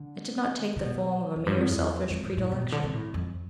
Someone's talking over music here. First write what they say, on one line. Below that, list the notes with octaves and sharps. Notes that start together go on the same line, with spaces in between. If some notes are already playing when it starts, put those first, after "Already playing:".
It did not take the form of a mere selfish predilection.
Already playing: D3
C3
B2
E2
G2
F2
E2
F2
G2
A2
B2
B2
D3
C3
A2
F2